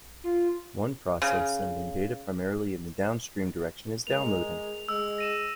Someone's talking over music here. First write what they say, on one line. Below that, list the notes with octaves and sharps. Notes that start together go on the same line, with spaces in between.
One process sending data primarily in the downstream direction is downloading.
F4
C#3
G#3 A#4 F7
G#3 E6
A#6 D#7 E7